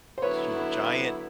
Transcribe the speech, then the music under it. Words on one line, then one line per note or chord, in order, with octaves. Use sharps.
you know, giant
C5
D3 F#3 B3 E4 B4 C#5